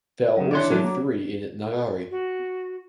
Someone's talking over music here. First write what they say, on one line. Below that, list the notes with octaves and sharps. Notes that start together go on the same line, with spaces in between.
There are also three in the "nagari".
F#2 C#3
D#2 E3 D4 C#5 D5 C6
F#3 C#4 D4 F4
A#3
F#4